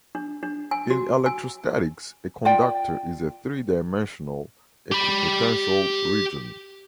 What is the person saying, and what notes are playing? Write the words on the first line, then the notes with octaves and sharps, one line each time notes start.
In electrostatics a conductor is a three-dimensional equipotential region.
D4
D4
G#5
F#4
G#5
F4 D5 G5
G4 B5